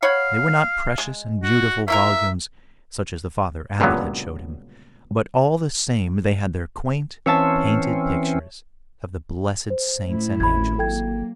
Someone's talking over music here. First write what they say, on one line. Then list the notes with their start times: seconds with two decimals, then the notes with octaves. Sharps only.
They were not precious and beautiful volumes, such as the Father Abbot had showed him, but all the same they had their quaint painted pictures of the blessed saints and angels.
0.03 C#5 F5 F#5 B5
0.98 G#3
1.43 F#4
1.88 A#3 E4 A#4 E5
3.80 C#2 G2 A#2 D3 F#3 B3
7.26 E3 C4 C#4 C#5 E5 A5
9.70 C5
10.06 A2 C#4 E4
10.40 G#1 B5 G#6
10.78 F#3 A#3 A4 G5 G#6